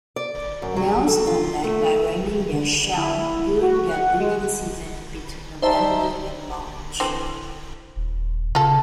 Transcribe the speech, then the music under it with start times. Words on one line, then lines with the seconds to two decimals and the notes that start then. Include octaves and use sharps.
Males combat by ramming their shell during their breeding season between November and March.
0.16 D5
0.62 F#2
0.77 F#3
1.07 A4
1.27 F4
1.64 A3
2.52 D3
2.97 E4
3.61 F#4
3.88 F#5
4.20 G#3
5.62 G3 D#4 C5 E5 A5
7.00 D3 E3 C4
7.96 D#1
8.55 C#3 F4 A4